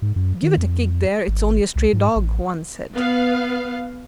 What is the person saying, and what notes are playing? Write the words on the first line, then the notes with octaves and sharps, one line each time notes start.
"Give it a kick--there--it's only a stray dog," one said.
G#2
F#2
D#3
F2
G#1
C2
G#2
A1
B3 F5